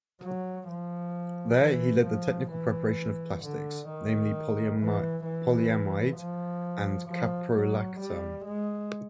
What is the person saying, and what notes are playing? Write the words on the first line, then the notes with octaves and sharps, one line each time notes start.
There he led the technical preparation of plastics, namely polyamide and caprolactam.
F#3
F3
E3
F3
E3
D3
D#3
E3
E3
F3
F3
F#3
G3
G#3